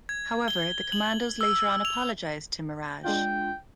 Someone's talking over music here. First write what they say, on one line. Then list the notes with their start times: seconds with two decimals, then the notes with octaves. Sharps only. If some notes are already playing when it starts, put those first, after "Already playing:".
However, the commandos later on apologized to Meeraj.
0.09 G#6
0.48 G7
0.92 F#7
1.41 E6
1.85 F7
3.04 G#3 D4 F4 G5